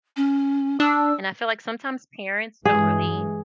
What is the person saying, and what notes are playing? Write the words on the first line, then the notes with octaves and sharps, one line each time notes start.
And I feel like sometimes parents don't really
C#4
D4 E6
G2 E3 G#3 G#4